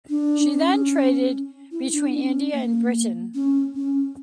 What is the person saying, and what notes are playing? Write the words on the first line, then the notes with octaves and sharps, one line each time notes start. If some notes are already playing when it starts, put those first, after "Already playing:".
She then traded between India and Britain.
D4
C#4
E4
D4
C#4
A#3
C#4
C#4